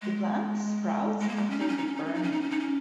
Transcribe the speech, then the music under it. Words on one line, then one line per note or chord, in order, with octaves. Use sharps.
The plant sprouts again after burning.
G#3
G#3
A#3
G#3
C#4
D#4
C#4
D#4
C#4
D#4
C#4
D#4
C#4
D#4
C#4
D#4
C#4